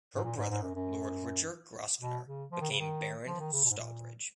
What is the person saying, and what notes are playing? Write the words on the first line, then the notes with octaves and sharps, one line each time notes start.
Her brother Lord Richard Grosvenor became Baron Stalbridge.
G#2
A#2
G#2
G#2
F#2
F#2
B2
C#3
F3
D#3
C#3
D#3
F3
D#3
C#3
B2
G#2
A#2